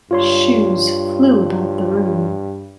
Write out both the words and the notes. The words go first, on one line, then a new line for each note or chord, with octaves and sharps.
Shoes flew about the room.
G2 F4 C#5 C6